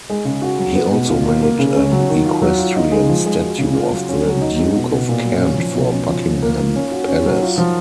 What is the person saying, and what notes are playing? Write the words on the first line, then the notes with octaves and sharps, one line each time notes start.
He also made an equestrian statue of the Duke of Kent for Buckingham Palace.
G#3
C#3
F#4
F#3
B3
B2
F4
A#3
A#3
C#3
C#4
F#3
D#3
F4
F#3
F4
D#4
G#3
F3
G#3
F#4
C#3
F4
F#3
C#4
F#3
D#4
G#3
B2
B2
A#2
F#3
C#4
F3
B2
C#4
F3
F3
A#3
F4
C#4
F#4
C#4
F#3
F4
F3